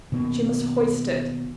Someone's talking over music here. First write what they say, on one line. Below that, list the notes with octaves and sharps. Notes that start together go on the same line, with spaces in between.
She must hoist it.
B2 D#3 A#3